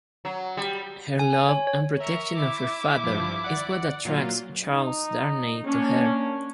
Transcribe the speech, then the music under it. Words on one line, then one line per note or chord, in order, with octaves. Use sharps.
Her love and protection of her father is what attracts Charles Darnay to her.
F#3
G3
G#5
G#5
C#5
C#5
A#4 E5 C#6
E4 D6
G2 F3
D5 F#5
A#2 F#3 F4
D#4
A#3 C#4 D4